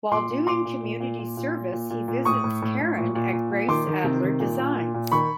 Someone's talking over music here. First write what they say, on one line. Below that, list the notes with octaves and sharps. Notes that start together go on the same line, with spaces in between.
While doing community service he visits Karen at Grace Adler Designs.
A#2 C6 D6
A#2
A#2 C6 D6
A#2
A#2
A#2
A#2
A#2
A#2
A#2
A#2
A#2
A2 C#6 D#6
A2
A2
A2
A#2
A#2
A#2
A#2
D#3 C6 D6
D#3
C3
D#3
A#2
A#2
A#2
A#2
D#3 B5 C#6